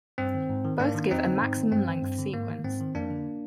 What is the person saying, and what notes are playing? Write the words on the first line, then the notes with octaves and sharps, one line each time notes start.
Both give a maximum-length sequence.
G2 C4
D#3
G#2
D#3
G#2 A#3 D4
D#3
F2 C4 D#4
D3
G#2
D#3
G2 C4
D#3
G2
D3
G#2 A#3
D#3
G#2 C4
D#3
F2 A#3 D4
D3